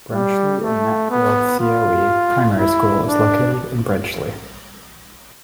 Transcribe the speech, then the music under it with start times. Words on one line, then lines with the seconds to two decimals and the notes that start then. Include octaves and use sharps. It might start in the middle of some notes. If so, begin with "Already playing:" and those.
Brenchley and Matfield CoE primary school is located in Brenchley.
0.12 G3
0.62 A3
1.10 B3
1.60 F4
2.58 E4
3.07 D4